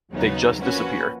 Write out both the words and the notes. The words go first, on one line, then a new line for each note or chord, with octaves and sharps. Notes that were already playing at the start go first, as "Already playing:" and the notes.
They just disappear.
D#2 C#3 F#3 B3 D#4
F3 A#3 C#4 F#4 B4